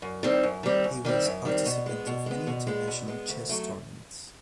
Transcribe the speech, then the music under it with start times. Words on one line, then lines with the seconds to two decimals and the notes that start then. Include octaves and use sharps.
He was participant of many international chess tournaments.
0.02 F#2
0.23 D#3 G3 C4
0.43 F#2
0.63 D#3 G3 C4
0.84 F#2
1.05 D#3 G3 C4
1.25 F#2
1.45 D#3 G3 C4
1.66 B2
1.86 G#3 B3
2.07 B2
2.26 G#3 B3
2.47 B2
2.67 G#3 B3
2.88 B2
3.08 G#3 B3
3.29 D2
3.49 F#3 A3